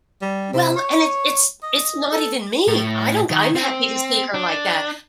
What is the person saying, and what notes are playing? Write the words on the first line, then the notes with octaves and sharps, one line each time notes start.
Well and it it's it's not even me. I don't g I'm happy to see her like that,
G3
C3
C#5
D#5
A4
A2
D#3
C4
D4